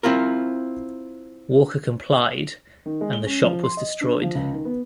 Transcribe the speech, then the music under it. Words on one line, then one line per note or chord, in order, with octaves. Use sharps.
Walker complied, and the shop was destroyed.
C4 E4 F4 A#4
D#3
G#3
G7
C#4
F3
C6
D#5
D4
F3
C#2
D#3
B3